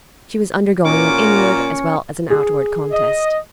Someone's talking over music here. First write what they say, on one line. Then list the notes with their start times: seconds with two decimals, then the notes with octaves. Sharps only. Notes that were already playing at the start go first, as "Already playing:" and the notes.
She was undergoing an inward as well as an outward contest.
0.85 A#2 C#4 F4 F#4 A#4 D6
2.30 G#4
2.91 D#5